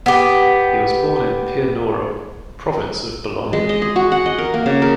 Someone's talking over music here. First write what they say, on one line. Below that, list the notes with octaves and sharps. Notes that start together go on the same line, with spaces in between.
He was born in Pianoro, Province of Bologna.
B3 G4
G#3
D#5
G#4
F#4
F#5
D#5
A#4
A#3
C#3
A#4